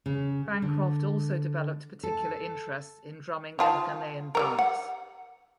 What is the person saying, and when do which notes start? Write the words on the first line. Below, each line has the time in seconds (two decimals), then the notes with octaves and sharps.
Bancroft also developed particular interests in drumming and Ghanaian dance.
0.06 C#3
0.62 D3
2.03 A4
3.59 D#3 F4 A5
4.35 G3 A3 A#4
4.59 F#5